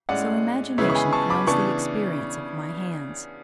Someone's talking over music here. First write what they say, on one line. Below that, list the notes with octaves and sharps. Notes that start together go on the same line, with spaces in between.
So imagination crowns the experience of my hands.
A2 G#3 C#4 D5 F#5
C#3 E3 G#3 B3 C#5 E5
C#6
G#5 B5
A5 C#6
B5 D6
C#3 E3 B3 D4 A5 C#6